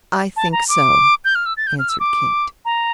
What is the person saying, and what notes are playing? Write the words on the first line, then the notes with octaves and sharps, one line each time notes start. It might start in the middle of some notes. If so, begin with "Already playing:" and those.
"I think so," answered Kate.
A5
A#5
D6
G6
F6
E6
A6
G6
F6
E6
D6
A#5